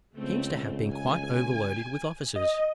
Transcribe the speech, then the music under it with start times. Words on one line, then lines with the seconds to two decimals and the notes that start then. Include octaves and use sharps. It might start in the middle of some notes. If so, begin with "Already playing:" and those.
He seems to have been quite overloaded with offices.
0.15 C#2 A3 C4
0.94 G#5
2.36 D#5